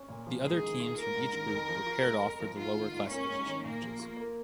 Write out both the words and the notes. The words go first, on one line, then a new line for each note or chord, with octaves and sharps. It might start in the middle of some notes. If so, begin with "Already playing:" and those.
The other teams from each group were paired off for the lower classification matches.
Already playing: C#4
A#2
F3
G#2 G#4
D#3
F4
A#3 A#4
G#2
D#3
F2
F3
F4
G#3
F2
F3
G#2 F4
D#3
G#2
A#3 C#4
G#2
D#3
A#2 A#3
F3
F4
A#3